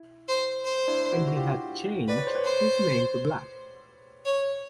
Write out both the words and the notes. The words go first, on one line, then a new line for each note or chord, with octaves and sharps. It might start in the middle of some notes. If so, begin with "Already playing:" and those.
And he had changed his name to Black.
Already playing: E4
C5
C5
D4 E4
E4 F#4
F#4
F4 G4
B4 D5
C#5
C5
B4 C#5
C5
C#5